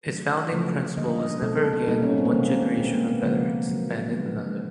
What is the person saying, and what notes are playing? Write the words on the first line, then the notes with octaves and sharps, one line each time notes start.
Its founding principle is Never again will one generation of veterans abandon another.
D#3 F#3 A3
C#3 F3 A3
D3 G3 A#3 D#5
D#5
D#5
B2 G#3 A4
A4
A4
B2 G3 A#3 D#4
C#4
C4
A#3
D#3 G#3 B3
C4
C4
B2 G#3 B3
A#3
B3
C#3 F3 G#3 A#3
D3 F#3 A#3
D3 F3 G#3 B3